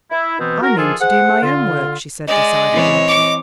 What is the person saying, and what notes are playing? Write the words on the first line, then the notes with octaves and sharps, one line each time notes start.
"I mean to do my own work," she said decidedly.
E4
B2 E3 B3 C4
F#4 A#4
D#3 F3 F4 G#4 A4
G#4 C5 F#5
D3 F4
G#3 D5 D#5
E3 C4 C#5
D6